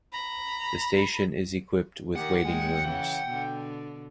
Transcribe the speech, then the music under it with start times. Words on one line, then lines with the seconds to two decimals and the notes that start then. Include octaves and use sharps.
The station is equipped with waiting rooms.
0.12 A#5 B5
2.16 D#3 G4 F#5
2.45 A#2 G#3 G5
2.84 C#3 E3
3.27 B2 D3